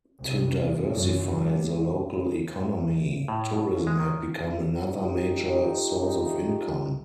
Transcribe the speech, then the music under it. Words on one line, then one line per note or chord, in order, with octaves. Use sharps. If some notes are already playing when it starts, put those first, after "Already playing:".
To diversify the local economy, tourism had become another major source of income.
C2
F#2
C#2
A2
B2
G#3
D#3
A3 D#4 F4 G4